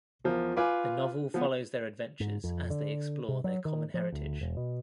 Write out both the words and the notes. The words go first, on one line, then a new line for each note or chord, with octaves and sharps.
The novel follows their adventures as they explore their common heritage.
E2 F3 A#4
F4 B4 G#5 D6
F3 B3
G#2
F2
D3
C3
F#3
D#3
F3
D2
E1
B2